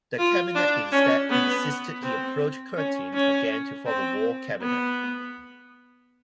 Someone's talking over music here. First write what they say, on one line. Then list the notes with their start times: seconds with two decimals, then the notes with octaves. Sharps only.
The Cabinet instead insisted he approach Curtin again to form a war cabinet.
0.19 F4
0.55 D4
0.92 C#4
1.30 B3
2.03 C4
2.76 C#4
3.14 C#4
3.87 C4
4.61 B3